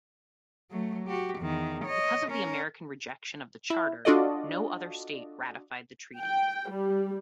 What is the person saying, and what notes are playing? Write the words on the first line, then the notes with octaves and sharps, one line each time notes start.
Because of the American rejection of the Charter, no other state ratified the treaty.
F#3 A3
F#4 G4
E2 D#3
C#5 D#5
C#4 A#4
E4
D4 F4 F#4 A4 D5 D#5
G5
G3